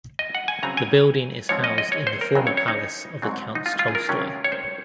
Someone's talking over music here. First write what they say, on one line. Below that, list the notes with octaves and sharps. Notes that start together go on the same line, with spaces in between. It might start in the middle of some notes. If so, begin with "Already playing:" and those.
The building is housed in the former palace of the Counts Tolstoy.
D#5
F#5
G#5
C#3 F#3 C4 A#5
G#5
G#2 F3 G#3 C4 C#5
D#5
D#5
C#5
C5
A#4
F2 C#3 F#3 C4
C#5
C#5
D#4
G#2 F#3 C4
D#4
F4
F4
G#4
A#4
C3 D#3 F#3 C#4
C#5
C5